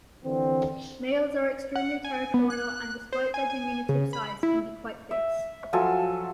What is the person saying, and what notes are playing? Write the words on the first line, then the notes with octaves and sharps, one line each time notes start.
Males are extremely territorial and-despite their diminutive size-can be quite fierce.
D3 E3 C4
F#5
G#5
B3
F#6
C5
G#5
G#5
C#3
B5
E4
E5
F3 F#3 A4 G#5